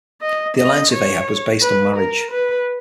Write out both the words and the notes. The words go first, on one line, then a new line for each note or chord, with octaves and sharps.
The alliance with Ahab was based on marriage.
D#5
D#5
C#5
B4
A#4
B4